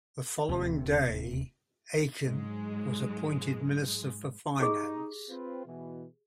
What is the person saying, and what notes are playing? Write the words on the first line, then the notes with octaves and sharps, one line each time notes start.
The following day, Aiken was appointed Minister for Finance.
D1 D#2 C3
G#2 F#3 G#3
D#4 G4 G#4
C4 F4 B4
B2 E3